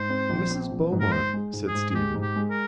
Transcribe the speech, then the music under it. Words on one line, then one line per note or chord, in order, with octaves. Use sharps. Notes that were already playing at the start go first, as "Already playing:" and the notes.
"Mrs. Beaumont," said Stephen.
Already playing: G#2 C5
C4
A#1
C4
A#1
G#2
A#4
G#2 C5
G#3
G#2
G#4
G#2
G#4
G#3 G4
G#2
G4
G#3
A#4